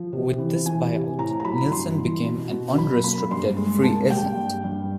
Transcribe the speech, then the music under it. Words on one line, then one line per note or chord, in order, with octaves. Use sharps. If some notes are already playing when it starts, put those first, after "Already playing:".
With this buyout, Nilsson became an unrestricted free agent.
Already playing: F3
C3
E3
E3 G#5
C3
A2 A#5
A#5
F#3 B5
G2 C6
E3
B2
B2
F#2 B5
A#3 B5
G2 C6
G#3
A#3 A5
G3 G5
G2
G2